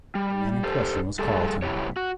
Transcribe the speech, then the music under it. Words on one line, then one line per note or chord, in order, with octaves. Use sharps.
The man in question was Carlton.
G3
G4 A4 C5
G3 G#4 A4
F#2 B2 E4 G4 C#5
F#4